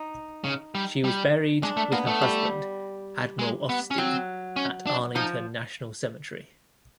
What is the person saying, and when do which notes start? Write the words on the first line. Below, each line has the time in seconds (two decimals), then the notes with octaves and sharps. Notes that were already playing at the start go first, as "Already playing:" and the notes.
She was buried with her husband, Admiral Ofstie, at Arlington National Cemetery.
Already playing: D#4
0.44 C#3
0.75 G3
1.04 G3
1.63 G#3 D4
1.77 A3
1.92 A#3 B3
2.07 A3
2.22 G3
3.39 G#3
3.69 B3
3.91 C#4
3.98 F#3 C4
4.56 C#4
4.87 D4
5.15 F3 D#4